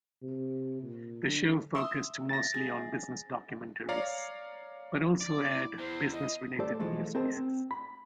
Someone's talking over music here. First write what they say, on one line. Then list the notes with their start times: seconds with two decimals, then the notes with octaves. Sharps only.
The show focused mostly on business documentaries, but also aired business-related news pieces.
0.22 C3
0.82 A#2
1.23 D3
1.75 E5 C6 D#6
2.29 A6 A#6
2.54 G#4
3.89 C#5 D5 F5 A#5
5.21 D5
5.52 E4
5.78 E2 C5
6.13 D#5
6.59 A3 G4 A4 C5 D5
6.80 B1 E3 F3 G#3 A3 A4
7.15 C4 G#4 A#4 D#5 A5
7.37 C4
7.71 B5